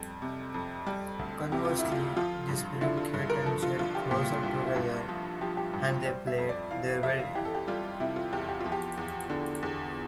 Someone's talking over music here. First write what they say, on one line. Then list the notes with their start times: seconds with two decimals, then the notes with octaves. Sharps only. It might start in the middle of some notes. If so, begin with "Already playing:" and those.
Conversely, this brings Kate and Jed closer together and they plan their wedding.
Already playing: F2 G3
0.22 C3
0.54 F2
0.87 G3
1.19 D2
1.52 C3 G4
1.65 F4
1.79 E4
1.84 D2
1.92 F4
2.16 F3 F4
2.49 G2
2.81 D3 E4
2.97 F4
3.14 G2
3.30 A#4
3.46 F3 A4
3.63 F4
3.79 C2 F4
3.95 G4
4.11 A#2 G4
4.43 C2
4.66 E4
4.76 G2 F4
5.08 F3
5.41 F3 G4
5.57 G4
5.73 G2
5.89 F4
6.06 G3 C5
6.27 E5
6.38 F2
6.49 D5
6.71 E3 F5
6.87 F5
7.03 F2 E5
7.19 F5
7.35 E3 G4
7.45 A4
7.55 G4
7.68 G3 F4
8.00 C3 E4
8.16 F4
8.33 E2 G4
8.49 G4
8.61 F3 F4
8.72 G4
8.98 E2
9.30 D3
9.63 E2